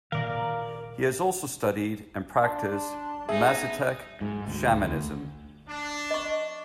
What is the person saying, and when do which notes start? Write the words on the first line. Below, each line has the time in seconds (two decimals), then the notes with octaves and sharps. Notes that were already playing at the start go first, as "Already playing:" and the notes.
He has also studied and practiced Mazatec shamanism.
0.12 A#2 D#3 A#4 D5 F5
2.43 D4 A5 C6
3.29 B3 D#4 G#4 E5
4.21 G#2
4.47 D2
4.73 D2
5.68 D4
6.11 D#5 C#6